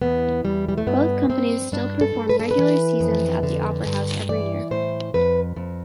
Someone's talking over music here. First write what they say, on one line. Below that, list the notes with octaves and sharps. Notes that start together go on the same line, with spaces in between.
Both companies still perform regular seasons at the Opera House every year.
E2 B3
E2 G3
G3
A3
G2 B3
G2 C4
G2 D4
A4
G2
B4
A4
B4
E3
F2
D3
G2
E3 D5
A2 C5
F2 B4
F2